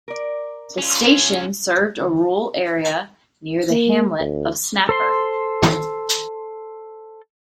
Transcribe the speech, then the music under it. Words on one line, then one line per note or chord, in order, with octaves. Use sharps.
The station served a rural area near the hamlet of Snapper.
A#4 D5
C#4 F4
A#3
D2
A4 C5 C6